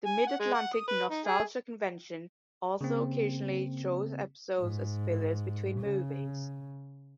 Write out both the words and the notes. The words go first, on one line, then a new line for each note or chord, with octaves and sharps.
The Mid-Atlantic Nostalgia Convention also occasionally shows episodes as fillers between movies.
G#5
F#5
G#3
F#5
D#6
B4
D#4
G#4
C#3 A#3 C4
G#2
C#3